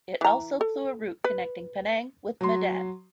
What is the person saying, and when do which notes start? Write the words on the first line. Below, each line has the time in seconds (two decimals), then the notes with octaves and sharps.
It also flew a route connecting Penang with Medan.
0.21 E3 A#5
0.61 A4
1.24 B4
2.41 F#3 C6